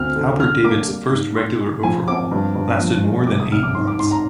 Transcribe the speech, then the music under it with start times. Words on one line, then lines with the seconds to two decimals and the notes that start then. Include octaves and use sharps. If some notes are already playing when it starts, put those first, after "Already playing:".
Albert David's first regular overhaul lasted more than eight months.
Already playing: D2 C4 F6
0.16 D3
0.40 D3 F6
0.64 A#3 D6
0.88 G3
1.11 G#2
1.36 D#4 C6
1.60 G#3
1.83 F3 G#5
2.08 C4 D6
2.31 G2
2.55 G2
2.80 F3
3.04 G#3
3.27 C3 D6
3.40 D#6
3.52 C2 F6
3.63 D6
3.75 G#2 C6
3.88 D6
3.99 G#2 C6
4.11 A#5